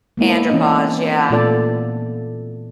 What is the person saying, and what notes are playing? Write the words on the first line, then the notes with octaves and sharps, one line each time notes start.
Andropause, yeah.
G#3 A#3 B3 E4
E3 C4 C#4 D#4 D#5
A#2 A3 B3 F4 A4 D5